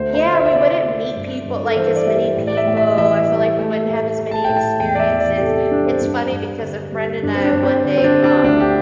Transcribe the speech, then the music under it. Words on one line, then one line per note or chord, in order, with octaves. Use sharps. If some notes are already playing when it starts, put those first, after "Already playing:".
Yeah, we wouldn't meet people like, as many people, I feel like we wouldn't have as many experiences. It's funny because a friend and I, one day, w um
Already playing: D2 A3 C5
C5
D2
E5
E5
C3 D5
A3
G2
G2
A4
E3 C5
D5
G3 E5
D5
A2
D5
E5
A2
E5
E3 E5
G3
A3
A2
A3
A5
A2 G5
A5
E2 G5
D5
E5
E2
D5
G4
C3 A4
G4
G3 D4
C4
G2 D4
G2
D3
G3
G2 D4
C4
D4
G2
C4
D3 C4
C4
D4
G3
D4
C4
D2 D4
G4